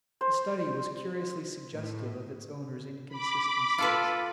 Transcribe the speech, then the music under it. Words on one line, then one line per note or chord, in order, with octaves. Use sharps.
The study was curiously suggestive of its owner's inconsistencies.
C5
A2
B5 D6
F4 A4 B4